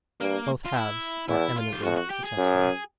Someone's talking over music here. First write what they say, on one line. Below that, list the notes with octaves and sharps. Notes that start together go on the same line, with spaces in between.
Both halves are eminently successful.
G2 A#3
F4
E4
E2 E4
F4
G4
F2 F#4
F#4
G4
G#4
F#2